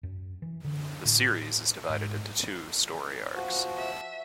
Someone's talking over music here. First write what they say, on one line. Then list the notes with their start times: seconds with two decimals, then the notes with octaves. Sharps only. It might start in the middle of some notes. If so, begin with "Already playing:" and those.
The series is divided into two story arcs.
0.03 F#2
0.42 E3
0.65 D3
1.05 A2
1.89 G#2
3.35 F3 F#4
3.76 E5